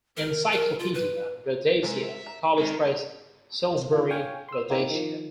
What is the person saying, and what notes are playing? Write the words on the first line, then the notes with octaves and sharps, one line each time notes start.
"Encyclopaedia Rhodesia", College Press, Salisbury, Rhodesia.
A#4
A#4
F4
B4
C3 G#3 A#4 C5 E5
E5
A#5
D#3 G#3 C4 E4 A#5
D#3 F4
C#5 F5 G5 G#5
C6 E6
A#3 C4 D#4 E4 G4 A#4
D#3 F3